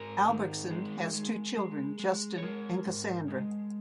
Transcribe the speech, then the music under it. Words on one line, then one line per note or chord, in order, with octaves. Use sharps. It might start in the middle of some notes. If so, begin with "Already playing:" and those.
Albrechtsen has two children, Justin and Cassandra.
Already playing: G#2 A#4
D#3
G#3
G#3
G#3
G#3
C#5
G#3 A#4
G#2
G#3